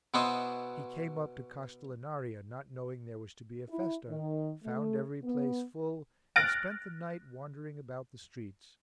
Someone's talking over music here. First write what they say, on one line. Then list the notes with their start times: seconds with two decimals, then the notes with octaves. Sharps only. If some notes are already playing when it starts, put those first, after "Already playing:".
He came up to Castellinaria, not knowing there was to be a festa, found every place full and spent the night wandering about the streets.
0.14 B2 B3 E4 F#4 C5 D#5
3.69 E4
4.08 D#3
4.64 A3
5.24 B3
6.36 F6 F#6 A6 A#6 D7